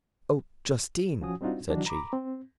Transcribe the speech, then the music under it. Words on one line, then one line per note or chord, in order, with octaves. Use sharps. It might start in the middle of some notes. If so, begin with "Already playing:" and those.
"Oh, Justine!" said she.
F3 C#4 F#4 G#5 D#6
G3 C4 D4 D#4 F4 F#4
D#3 E3 F#3 D4 D#4 F#4
A#5 B5 D6
C4